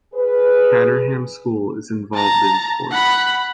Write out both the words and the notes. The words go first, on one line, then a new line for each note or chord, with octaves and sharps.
Caterham School is involved in sport.
G#4 B4
A5 A#5
F#5 B5